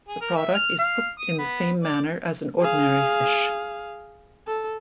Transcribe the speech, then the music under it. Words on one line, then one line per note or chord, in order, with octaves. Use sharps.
The product is cooked in the same manner as an ordinary fish.
G#4
A#4
E5
F6
F5
D#6
B3
D5
G#4 F5
A4